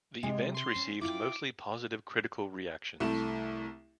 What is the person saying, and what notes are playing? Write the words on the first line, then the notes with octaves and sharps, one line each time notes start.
The event received mostly positive critical reactions.
C3 G#3
C6
C4 C#4
E4 F4 G5 D6
C2 A3 E4 E7